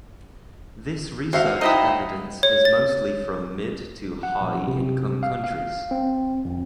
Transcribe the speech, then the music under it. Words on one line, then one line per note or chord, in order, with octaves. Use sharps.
This research evidence is mostly from mid- to high-income countries.
F#4 C5 E5 F5
D#4 E4 C5 D#5 G5 D#6
C#5
A6
F#5
A#1
C3
F5
F5
C4
F2